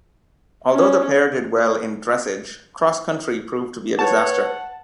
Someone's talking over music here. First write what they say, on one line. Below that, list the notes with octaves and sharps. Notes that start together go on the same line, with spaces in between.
Although the pair did well in dressage, cross country proved to be a disaster.
C#4
B4 C#5 F#5 A5